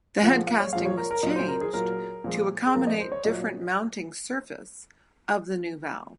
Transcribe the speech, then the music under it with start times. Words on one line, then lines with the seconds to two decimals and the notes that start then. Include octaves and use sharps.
The head casting was changed to accommodate different mounting surface of the new valve.
0.22 A#2 F3 G#3 F#5
0.47 F5
0.60 C#5
0.73 A#2 F3 G#3 F5
0.85 C#5
0.97 A#4
1.11 A#4
1.23 A#2 F#3 D#5
1.36 C5
1.48 A#4
1.61 G#4
1.73 A#2 F#3 A#4
2.24 A#2 F3 G#3
2.66 G#4
2.74 A#2 F3 G#3 A#4
2.87 D#5
3.00 C5
3.12 C#5
3.24 A#2 F#3 D#5